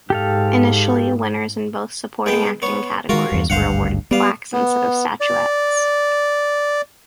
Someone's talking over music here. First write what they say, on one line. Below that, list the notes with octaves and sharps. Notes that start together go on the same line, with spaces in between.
Initially, winners in both supporting acting categories were awarded plaques instead of statuettes.
G#2 G4 A4 F5
G#3 B3 G5
B3 C#5
D#3 G#3 F4 F#4 A#4
E2 G2
G#1 D2 G2 C5 F5 F#5
G3 B3 F5
B3
D5